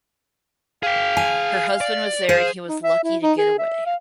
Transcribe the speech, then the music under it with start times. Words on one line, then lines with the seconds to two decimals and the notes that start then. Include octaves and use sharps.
Her husband was there and he was lucky to get away.
0.83 G#4 F5 G5
1.17 G#5
1.81 D5
2.29 G#4 C5 F5
2.68 D#4
2.83 E5
3.04 E4
3.22 D#4
3.38 G#4
3.59 E5
3.86 F5